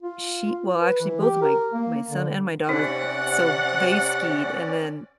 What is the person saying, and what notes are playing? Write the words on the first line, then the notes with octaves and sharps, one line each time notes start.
she well, actually, both my my son and my daughter so, they skied, and then,
F4
B4
E3
G4
A#4
A#3
D3
C3 C4 C#4 D#4 D5 F#5